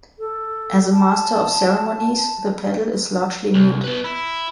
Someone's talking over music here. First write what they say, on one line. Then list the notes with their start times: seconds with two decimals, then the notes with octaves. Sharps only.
As a master of ceremonies, the pedel is largely mute.
0.19 A4
0.92 A5
3.54 C2
3.84 B2 B4
4.04 E4